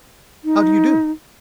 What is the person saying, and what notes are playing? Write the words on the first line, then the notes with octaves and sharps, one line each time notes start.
"How do you do?"
D#4